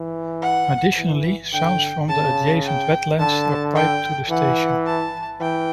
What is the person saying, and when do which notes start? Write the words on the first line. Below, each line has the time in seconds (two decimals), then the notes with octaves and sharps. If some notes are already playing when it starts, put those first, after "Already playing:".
Additionally, sounds from the adjacent wetlands are piped to the station.
Already playing: E3
0.42 F#5
0.97 E3
1.52 D3 G5
2.09 C#3 A5
2.64 G5
3.19 D3 A5
3.75 G5
4.30 E3 F#5
4.86 A5
5.40 E3 G5